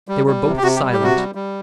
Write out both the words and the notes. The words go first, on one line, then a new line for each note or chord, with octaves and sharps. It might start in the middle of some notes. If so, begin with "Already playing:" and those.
They were both silent.
G3
G3
C3
G4
C3 F#4
G4
G3
G4
C3 F#4
G3
G3